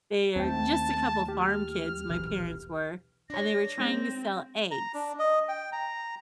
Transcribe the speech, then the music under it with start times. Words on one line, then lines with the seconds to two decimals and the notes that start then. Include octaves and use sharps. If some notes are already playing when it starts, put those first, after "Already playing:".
they're just a couple farm kids, my parents were, and they were trying to sell eggs
0.36 D#2 A3 C4 G5 A5
1.28 G4 F6
2.10 D#1 B1 E3
3.30 D4 C#5 A#6
3.78 G#3 C4 C#4 D#4
4.71 A#5
4.94 D4
5.19 D#5
5.48 G5
5.72 A#5